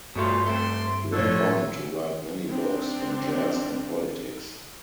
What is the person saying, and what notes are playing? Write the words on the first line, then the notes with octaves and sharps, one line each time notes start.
He went on to write many books on jazz and politics.
G2 B2 A3 F4
A3 C4 C6
A2 D3 F3 A4 C#5
C4 D4